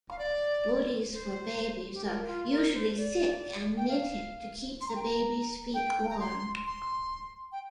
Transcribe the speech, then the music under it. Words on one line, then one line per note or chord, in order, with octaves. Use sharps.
Bootees for babies are usually thick and knitted, to keep the baby's feet warm.
F5
D5
C5
G4
A#4
F4
A#4
C5
D5
G5
F5
C6
A#5
G5
A#5
G5
A#5
C6
C6
G5